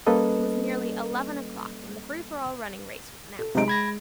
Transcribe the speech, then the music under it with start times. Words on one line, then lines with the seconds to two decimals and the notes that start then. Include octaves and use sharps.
It was nearly eleven o'clock when the free-for-all running race was announced.
0.07 G3 A#3 C#4 A4 B4 D#5
3.39 A4
3.55 C3 F#3 G#3 D#4 D7
3.68 B5 G#6 A#6